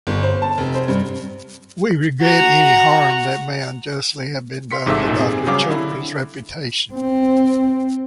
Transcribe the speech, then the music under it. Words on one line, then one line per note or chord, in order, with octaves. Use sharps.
We regret any harm that may unjustly have been done to Doctor Chopra's reputation.
G1
C5
A5
F1
C5
G2
F#4 A#5
F5 C6 B6 C#7
A1 G#2 C3 A4 E5
F#2 A#2 D#4
C4 G4 G#4
C#3 F#3 G3 C4 F5 D6
D3 E4
C4